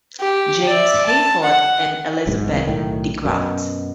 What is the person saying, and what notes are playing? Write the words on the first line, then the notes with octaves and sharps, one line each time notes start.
James Hayford and Elizabeth de Graft.
G4
D5 E5
A5
F#5
B1 G#2
C2 D#3
B1 A2 D#3
F#2 B2